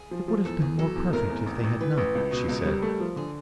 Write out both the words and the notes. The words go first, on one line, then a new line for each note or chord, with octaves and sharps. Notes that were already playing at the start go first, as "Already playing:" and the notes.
"It would have been more perfect if they had not," she said.
Already playing: G#4
F3
F3
E2 A4
E2 G#4
F#3 A4
E2
F1 A#4
E2
A1
A1
E3 B4
A1
C#2
B2
C#2 A#4
G3
A3
F3
D3 G#4